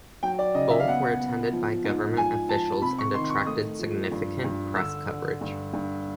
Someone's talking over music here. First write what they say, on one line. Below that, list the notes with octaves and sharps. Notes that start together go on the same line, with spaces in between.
Both were attended by government officials, and attracted significant press coverage.
F#3 G5
D5
C#3 D#5
E5
F5
B3 F#5
B3
F3
G#2
F3 G#5
F3 A5
C3 B5
C#6
D#3 C6
C#6
A3 D#6
F3
G2
G2
D3 E6
D3
G2
G2